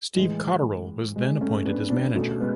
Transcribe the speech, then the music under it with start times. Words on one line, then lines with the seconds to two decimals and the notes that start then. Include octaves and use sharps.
Steve Cotterill was then appointed as manager.
0.16 A2 E3 G#3
1.16 G#3
1.41 A3 C#4
1.65 B3 D4
1.90 B3 D4
2.15 B2 A3 C#4
2.40 G#3 B3